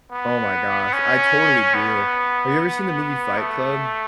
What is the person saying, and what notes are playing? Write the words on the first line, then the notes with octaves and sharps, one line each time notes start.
Oh my gosh, I totally do. Have you ever seen the movie Fight Club?
B3
C#4
B3
A3